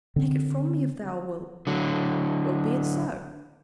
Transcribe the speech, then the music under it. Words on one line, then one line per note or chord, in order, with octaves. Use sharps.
Take it from me if thou wilt--well be it so!
D3 C4
D3 F#3